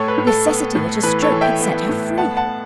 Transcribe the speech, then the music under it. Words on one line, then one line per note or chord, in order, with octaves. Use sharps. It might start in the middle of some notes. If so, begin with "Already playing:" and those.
Necessity at a stroke had set her free.
Already playing: A2 A4 C#5
B4
A2
A4
B3
A2
E3 B4
A4 C#5
E3
E5 G5
B3
A2
B3 F#5 A5
F#5 A5
B3